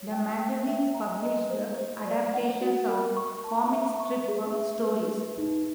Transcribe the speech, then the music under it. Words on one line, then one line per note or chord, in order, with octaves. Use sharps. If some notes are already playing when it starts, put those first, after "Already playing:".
The magazines published adaptations of comic strip stories.
Already playing: C#5
G5
G5
E5
A#5
D#5
C5
C5
D5
F#5
F#4
A#4
C#6
A5
E5
C#6
G#4
E5
B4
G#4
D#4